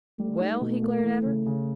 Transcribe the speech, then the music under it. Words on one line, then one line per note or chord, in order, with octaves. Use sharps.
"Well?" he glared at her.
G3 A3
D#4
B2 A3
A#3
E3
C#3
C#3